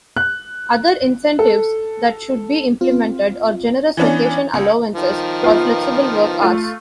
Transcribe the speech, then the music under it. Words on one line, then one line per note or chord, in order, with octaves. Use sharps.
Other incentives that should be implemented are generous vacation allowances or flexible work hours.
F#6
A4
C4 F4
E3 B3 C#4 D4
C#2
D#3 F3
B3 F4
A3 F4